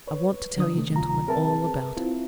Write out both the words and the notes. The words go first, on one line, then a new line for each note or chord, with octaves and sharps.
"I want to tell you gentlemen all about it."
B4 C#5
D3 F#3 D4 D#6
C3 D#3 A3
D2 C3 F#3 F4 A#5
C4 G#4 A#4 B4 E5 A5
C4 E4 F4